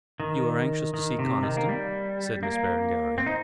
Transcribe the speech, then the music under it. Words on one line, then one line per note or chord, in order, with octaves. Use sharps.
"You are anxious to see Conniston?" said Miss Berengaria.
D#3
D#3
C3
D#3
A#3
G3
A#3
C4
D#4